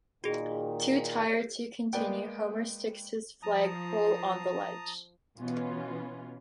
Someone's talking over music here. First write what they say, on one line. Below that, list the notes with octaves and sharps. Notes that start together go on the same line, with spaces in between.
Too tired to continue, Homer sticks his flag pole on the ledge.
A#2 D#3 F#4 G#4
G#3 A#3 B3 B4 D5 G5
F3 A5 A#5 D#6
B2 E3 B3 C#4 F4